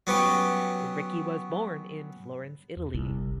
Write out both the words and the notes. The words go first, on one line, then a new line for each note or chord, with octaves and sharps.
Ricci was born in Florence, Italy.
F#3 B3 C#4 G4
E2
G1 C2